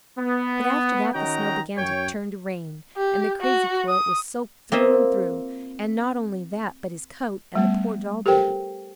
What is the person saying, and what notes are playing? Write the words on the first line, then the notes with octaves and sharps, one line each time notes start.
But after that the snow began to turn to rain, and the crazy quilt was soaked through and through: and not only that, but his coat and the poor doll-baby.
B3
D#3 C#4 F#4 D#5 G5 A#5
F#2 C#5 G5
G4
F#4
D#6
A#3 C4 F4 D#5 E5
G3 A3 B3
G4 A4 A#4 C5 G5